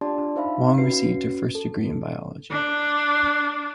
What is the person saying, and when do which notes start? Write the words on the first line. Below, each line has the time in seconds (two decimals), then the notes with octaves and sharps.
Wong received her first degree in biology.
0.01 D4 F4 G4 D5 A5 C6
0.36 D#4 C5 E5 F5 B5
0.78 C#4 F#4 B4 C7
1.55 A4
2.51 D4